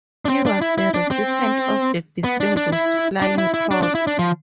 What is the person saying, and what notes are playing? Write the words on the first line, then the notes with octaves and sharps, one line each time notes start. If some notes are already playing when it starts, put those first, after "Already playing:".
He was the recipient of the Distinguished Flying Cross.
D4
C4
D4
E4
E4
D4
C4
B3
D4
D4
E4
D4
E4
E4
D4
D4
E4
D4
F3